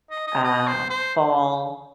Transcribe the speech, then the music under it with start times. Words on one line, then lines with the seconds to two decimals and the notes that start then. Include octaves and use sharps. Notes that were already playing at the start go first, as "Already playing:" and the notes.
uh, fall,
0.10 D#5
0.27 D#5
0.44 D#5
0.67 C5
0.90 C5